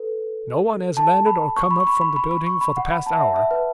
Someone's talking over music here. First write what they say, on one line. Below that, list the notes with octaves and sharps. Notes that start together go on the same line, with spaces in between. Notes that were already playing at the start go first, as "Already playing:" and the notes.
No one has landed or come up from the building for the past hour.
Already playing: A4 B4
A5
B5
C#6
B5
C#6
B5
B5
B5
B5
C#6
B5
F#5
B5
A5
E5
F#5
E5
B4